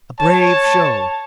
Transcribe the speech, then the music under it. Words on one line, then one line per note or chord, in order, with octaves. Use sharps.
A brave show.
C#5 A5